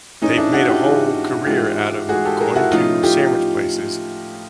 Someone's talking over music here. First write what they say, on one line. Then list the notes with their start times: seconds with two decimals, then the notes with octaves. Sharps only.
they've made a whole career out of going to sandwich places,
0.22 G#2 E3 G#3 C#4 D#4
0.37 D4 E4
0.53 E4 F#4
0.69 F4 G4
0.85 G#2 E3 G#3
1.46 G#2 E3 G#3 F4 G4
2.09 G#2 E3 G#3 F#4 G#4
2.25 G4 A4
2.41 G#4 A#4
2.56 E4 F#4
2.71 A2 F3 A3 C#4 D#4 F4
3.03 F4 G4